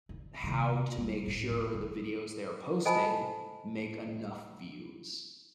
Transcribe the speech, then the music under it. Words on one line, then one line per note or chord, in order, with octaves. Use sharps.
how to make sure the videos they're posting make enough views,
D3
C3 D#3
G3
A2
D4
D3
A4 C5 D#5 G#5 A5 B5